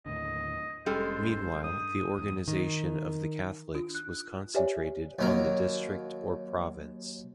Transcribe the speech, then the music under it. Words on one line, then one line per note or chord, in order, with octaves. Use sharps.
Meanwhile, the organization of the Catholics was concentrated on the district or province.
D#2 A2 D3 D#5
F1 G3 G#3 C#4 A4 C5
G2 D#6
E2 G#2 D#6
D#3
D4 F4
F#6
G4 B4 C#5 D5 E5 G#5
D#2 F#3 A#4